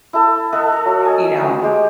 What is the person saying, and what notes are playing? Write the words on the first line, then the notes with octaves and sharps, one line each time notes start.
you know,
E4 A4
A4 D#5 E5 F#5
A4
F#3
D#5 G#5
G#3 G4